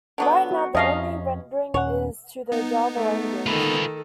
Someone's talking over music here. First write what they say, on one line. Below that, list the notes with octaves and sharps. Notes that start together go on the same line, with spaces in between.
Right now, the only rendering is to the Java language.
D3 F#3 B3
F#4
F2 C3 F3 C#4 D#5 F5
D#2 A#2 C#4 C#5 F#5
B3 D#4
A3
D#3 F4 A4 B4